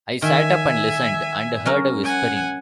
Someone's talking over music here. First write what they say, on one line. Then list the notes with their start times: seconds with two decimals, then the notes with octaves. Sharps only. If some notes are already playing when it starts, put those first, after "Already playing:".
I sat up and listened and heard a whispering.
0.22 D#3 E5 G#5
1.65 F#3 C#4 A#4
2.04 F#5 G#5